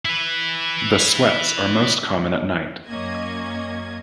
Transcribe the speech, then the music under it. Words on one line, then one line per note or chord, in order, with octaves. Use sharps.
The sweats are most common at night.
E4 B4
F#2 A#3 C#4 D#5 G#6